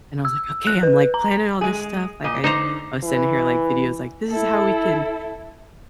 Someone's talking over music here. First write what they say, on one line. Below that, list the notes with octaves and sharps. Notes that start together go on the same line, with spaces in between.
And I was like, "Okay. I'm, like, planning all this stuff." Like, I I was sending her, like, videos, like, "This is how we can
E6
F#6
B4
A#5
G#3 G#4
A#2 D#5
D3 D#4 C5 A#5
E3
E4 A4